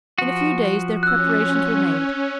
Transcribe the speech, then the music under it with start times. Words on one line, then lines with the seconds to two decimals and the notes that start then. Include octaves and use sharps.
In a few days their preparations were made.
0.18 F3 F#4
1.03 C#4 E6 F#6